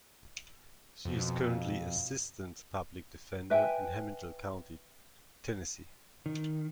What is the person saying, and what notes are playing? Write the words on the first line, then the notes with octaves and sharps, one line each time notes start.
She is currently Assistant Public Defender in Hamilton County, Tennessee.
F2 B2
B4 E5 G5 G#5
D#3